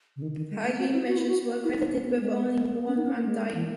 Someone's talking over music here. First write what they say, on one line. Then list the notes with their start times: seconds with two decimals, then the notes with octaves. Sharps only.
Hygiene measures were credited with only one man dying.
0.16 C#3
0.22 D#3
0.36 D#3
0.51 G#3
0.64 A#3
0.79 F#4
0.93 E4
1.07 F#4
1.18 E4
1.27 F#4
1.64 E4
1.78 D#4
1.92 C#4
2.07 B3
2.20 G#3
2.77 B3
2.87 C#4
2.96 D#4
3.06 C#4
3.15 A#3
3.25 G#3
3.54 E3